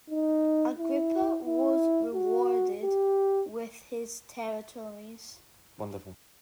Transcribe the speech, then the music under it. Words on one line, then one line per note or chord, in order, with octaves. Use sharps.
Agrippa was rewarded with his territories.
D#4
E4
E4
F#4
G4